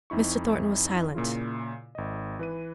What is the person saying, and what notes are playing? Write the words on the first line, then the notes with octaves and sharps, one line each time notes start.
Mr. Thornton was silent.
F2 D#4 E4 C#6
A#2 C#3 E4 F4
G#1 D#5
E3 B4 D#7